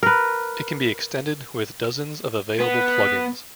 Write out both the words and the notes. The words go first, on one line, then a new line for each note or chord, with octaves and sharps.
It can be extended with dozens of available plugins.
A#4 B4
B3